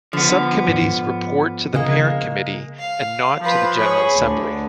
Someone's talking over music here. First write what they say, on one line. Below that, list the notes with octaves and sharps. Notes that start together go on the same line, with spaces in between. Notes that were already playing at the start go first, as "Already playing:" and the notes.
Subcommittees report to the parent committee and not to the general assembly.
D3 F3 B3
G#2
C#3 G#3 A#3
F5
F3 F4 B4
G#4 C#5 B5
D2 D3